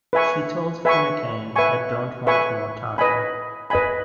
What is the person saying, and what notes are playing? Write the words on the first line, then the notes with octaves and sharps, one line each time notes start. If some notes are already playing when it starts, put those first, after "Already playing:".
She told Finucane, I don't want more time.
B4 E5 G#5 C#6
B4 E5 G#5 C#6
B4 E5 G#5 C#6
B4 E5 G#5 C#6
B4 D#5 G#5 B5
B4 D#5 G#5 B5